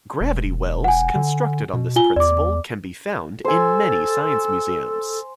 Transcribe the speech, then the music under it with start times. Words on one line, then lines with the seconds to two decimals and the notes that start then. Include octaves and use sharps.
Gravity wells constructed on this principle can be found in many science museums.
0.21 E1
0.84 F#5 G#5
1.16 D3
1.73 B2
1.96 F4 G#5 G7
2.16 E2 D5 D6
3.45 A4 C5 G#5